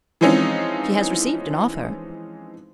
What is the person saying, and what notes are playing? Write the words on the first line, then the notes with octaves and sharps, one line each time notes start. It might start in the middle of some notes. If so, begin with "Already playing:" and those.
She has received an offer.
E3 F3 G#3 C4 C#4 D#4